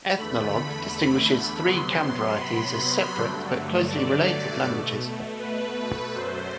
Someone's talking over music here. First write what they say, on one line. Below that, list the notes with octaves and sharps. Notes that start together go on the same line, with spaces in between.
"Ethnologue" distinguishes three Kam varieties as separate but closely related languages.
E2 D3 A3 B5
C3 F#3 B3 C6
B5
G2 D3 F#3 A3
D5
B2 A3
B4
F#2 F#3 A3 C5